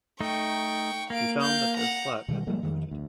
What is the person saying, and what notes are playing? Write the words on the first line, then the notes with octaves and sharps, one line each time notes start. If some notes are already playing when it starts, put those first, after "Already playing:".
He found that their flat had been looted.
A3 D#4 G5 C#6
A#3 F5 D7
F5 G6
F#5 A#5
B2 D#3 E3 G3
F3 G3 G#3 A#3
F2 D#3
D2